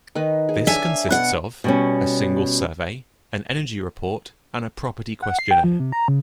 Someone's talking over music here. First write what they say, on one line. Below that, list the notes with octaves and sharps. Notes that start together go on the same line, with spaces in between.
This consists of: a Single Survey, an Energy Report and a Property Questionnaire.
D#3 D#4 B4
G#4
D4 C#5 E5 G#5 A5
F5
B2 F#5
B2 G3 C#4
F#5
C7
G5
F3
C3
A#5
C#3